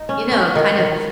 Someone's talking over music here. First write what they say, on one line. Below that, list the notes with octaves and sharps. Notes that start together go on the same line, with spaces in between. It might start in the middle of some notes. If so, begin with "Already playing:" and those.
you know, kind of,
Already playing: D#4
C#4
C#4
D#3
D#3